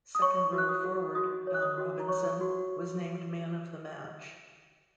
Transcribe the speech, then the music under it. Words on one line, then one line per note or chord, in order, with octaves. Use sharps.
Second-row forward Don Robinson was named man of the match.
D#6
C#5 C#6
F#4
F#6
D#6
F#4
F#4 D#6
C#5
F#6
D#6
F#4
A#5
C#5 C#6
F#4